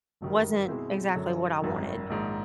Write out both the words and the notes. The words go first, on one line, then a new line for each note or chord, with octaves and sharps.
wasn't exactly what I wanted,
G1 F#2 D#3 G3
B2 G#3 C4 E4
F#2 D3 F#3
G#1 F#2 D#3
A#1 G#2 D#3